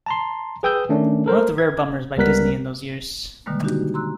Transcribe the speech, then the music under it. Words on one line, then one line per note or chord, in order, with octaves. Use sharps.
One of the rare bummers by Disney in those years.
A5 A#5 C6
G#4 B4 G5 D#6 E6 G6
D#3 A3 C#4 D4
A4 A#4 C5
G#6
C#2 G3 B3 A#4 F#6 B6
B2 D3 D#3 G3 G#3 A#3
D4 D#4 F#4 G4
A#5 C6 E6 F#6